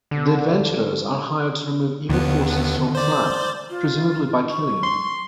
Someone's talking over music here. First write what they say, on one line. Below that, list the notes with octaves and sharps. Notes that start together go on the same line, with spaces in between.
The adventurers are hired to remove evil forces from Phlan, presumably by killing them.
D3
D#2 D3 D#3 B3
C5 D5
F4
C#6
C6